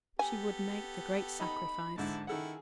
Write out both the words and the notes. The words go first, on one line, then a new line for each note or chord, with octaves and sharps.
She would make the great sacrifice.
B3 G4 A4 G#5
D#4 B5
G#2 D3 E4 A5
D#3 E4 G#4 A4 F#5